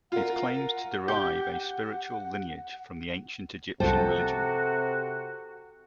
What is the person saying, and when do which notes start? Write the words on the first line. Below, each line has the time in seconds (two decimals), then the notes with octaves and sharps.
It claims to derive a spiritual lineage from the Ancient Egyptian religion.
0.12 F4 A#4 F#5
1.08 G4 G6
3.80 C2 C3 F3 C4 F#4 A4